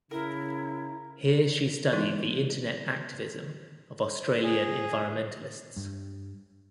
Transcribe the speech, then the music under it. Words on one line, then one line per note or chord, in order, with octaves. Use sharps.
Here she studied the internet activism of Australian environmentalists.
C#3 E4 A#4
E3 G#3 B3 D#4 E4
G#4
G2